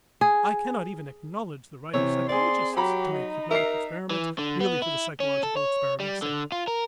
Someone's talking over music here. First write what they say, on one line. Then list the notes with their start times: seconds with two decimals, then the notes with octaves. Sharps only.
I cannot even acknowledge the right of psychologists to make hypnotic experiments merely for the psychological experiment's sake.
0.21 G#4
1.94 C3 E3 C#5
2.29 C4 G#4 D5 C6
2.76 F#3 G4 A#5 B5
3.16 D#4
3.51 A#4 E5 C7
4.10 E3
4.39 D3
4.61 B3
4.82 E4
5.20 C#4
5.43 A4
5.57 C#5
6.00 G3
6.22 D3
6.52 F4
6.68 A#4